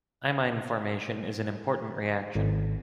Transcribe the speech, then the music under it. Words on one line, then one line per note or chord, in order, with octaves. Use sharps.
Imine formation is an important reaction.
G#1